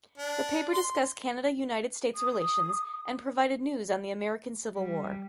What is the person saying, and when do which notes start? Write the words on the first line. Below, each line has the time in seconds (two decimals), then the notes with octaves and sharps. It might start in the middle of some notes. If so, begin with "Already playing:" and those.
The paper discussed Canada–United States relations and provided news on the American Civil War.
0.18 D4
0.73 C6
2.15 D#6
4.76 G3